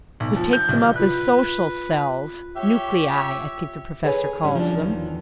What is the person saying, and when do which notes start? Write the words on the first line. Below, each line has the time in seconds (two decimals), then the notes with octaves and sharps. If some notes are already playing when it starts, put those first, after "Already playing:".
"We take them up as Social Cells, Nuclei, I think the professor calls them."
0.20 B1
0.36 F3
0.53 G6
0.69 C2
0.96 F4 B4 F#6
2.56 G4 C#5 E5
4.04 G#4 A4 B4 C#5 G5 G#5
4.42 F#2 A2 D3 G3 C#4
4.55 F3 C#4 D4
4.78 E2 A#2 D#3